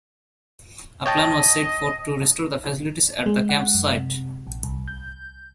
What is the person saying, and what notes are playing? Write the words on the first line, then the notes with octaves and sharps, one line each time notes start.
A plan was set forth to restore the facilities at the camp site.
C#5 D#5 G5 A5
G#3
F#5
F#2
C3
A#1
C2
G6